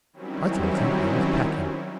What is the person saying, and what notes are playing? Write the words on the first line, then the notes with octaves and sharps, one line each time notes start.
I told him I was packing.
D#3 F#3 G3 C4 C#4 E4